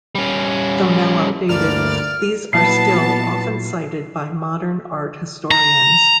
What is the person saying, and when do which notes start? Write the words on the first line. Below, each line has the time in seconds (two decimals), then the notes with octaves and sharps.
Though now outdated, these are still often cited by modern art historians.
0.15 G3 C#4
1.49 D2 G2 D3 A#3 D5 F6
2.53 A#2 F#3 B3 E4 A5 C7
5.51 A#5